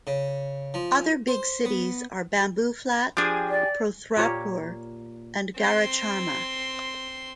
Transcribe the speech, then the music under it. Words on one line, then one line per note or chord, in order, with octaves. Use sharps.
Other big cities are : Bambooflat, Prothrapur, and Garacharma.
C#3
F3
C5
B3
F3 D4 G4 G#4
D5
A#2 A#3 G4 C#5
C4 C6